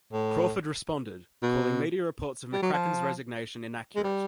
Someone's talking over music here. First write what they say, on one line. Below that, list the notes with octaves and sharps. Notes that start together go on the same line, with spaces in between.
Crawford responded, calling media reports of McCracken's resignation inaccurate.
A2
B2
G3
F#3
F3
G#3
G3